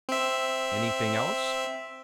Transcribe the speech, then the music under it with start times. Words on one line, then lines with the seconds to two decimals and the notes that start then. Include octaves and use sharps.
"Anything else?"
0.09 C4 E5